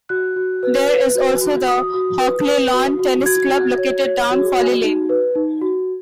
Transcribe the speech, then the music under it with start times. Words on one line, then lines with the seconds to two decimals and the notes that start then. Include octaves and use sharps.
There is also the Hockley Lawn Tennis club, located down Folly Lane.
0.09 F#4 F#6
0.36 F#4
0.63 B4
0.88 B4
1.15 F#4
1.41 F#4
1.68 F#4 D#6
1.94 F#4
2.20 B4
2.47 B4
2.73 F#4
2.99 F#4
3.26 F#4 G#6
3.52 F#4
3.78 C#5
4.04 C#5
4.31 F#4
4.57 F#4
4.84 D#4
5.09 B4
5.35 D#4
5.61 F#4